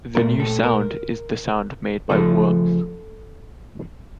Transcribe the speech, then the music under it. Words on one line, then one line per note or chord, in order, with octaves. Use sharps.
'The new sound is the sound made by worms.
A#2 A3 A#4
A4
A#4
C#3 F3 A3 A4